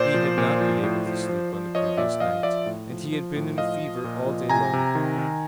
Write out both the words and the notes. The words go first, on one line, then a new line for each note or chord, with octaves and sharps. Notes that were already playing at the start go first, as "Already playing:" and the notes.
He had not been able to sleep on the previous night, and he had been in a fever all day long.
Already playing: A#2 C5 D5
F3
A#2
F3
A2
F3
F3
F3
F3 C#5 D#5
A#2 D5 E5
F3 D#5 F5
F3 D5 E5
A2
F3
F3
A2
F3 D#5 F5
F3
A#2
F3
C3 G#5 A#5
C3
D#3
D#3